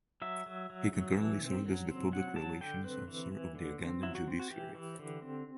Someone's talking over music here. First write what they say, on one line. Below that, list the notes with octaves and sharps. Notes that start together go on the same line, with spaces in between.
He concurrently served as the Public Relations Officer of the Uganda Judiciary.
F#3 E5
F#3
F#3
F#3
E3
C4
F#3
C4
F#3 F#5
F#3 A5
D3 G5
C4 B4
E3
E3
D3
C4
F#3 E4
F#4
C4
F#4
E3 G4
E3
D3
C4